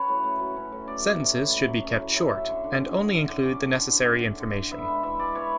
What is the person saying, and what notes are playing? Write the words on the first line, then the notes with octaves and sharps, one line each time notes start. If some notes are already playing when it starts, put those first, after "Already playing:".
Sentences should be kept short, and only include the necessary information.
Already playing: F#3 C#4 B4 C#5
A2
A3
F#3
C#4
A2
A3 D5
F#3
C#4
A2
A3
F#3
C#4
A2
C#4 E5
A3
D3
D3
C#4
A3
D3
D3
C#4 D5
A3
D3
D3
C#4
A3
D3
D3
B3 E5
G#3
E3 E5
E3 D5
B3 C#5